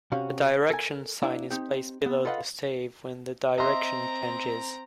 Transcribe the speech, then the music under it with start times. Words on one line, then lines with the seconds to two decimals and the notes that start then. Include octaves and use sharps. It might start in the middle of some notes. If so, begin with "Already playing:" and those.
A direction sign is placed below the stave when the direction changes.
0.12 C3 C#4 F#4 F5
0.70 A4 A#4 G#5
1.22 A#3 D4 E4
1.50 C4 D#4 G4
2.06 B3
2.25 F4 A4 B4 D#5 F5 F#5
3.58 C4 D#5 E5 A#5 C6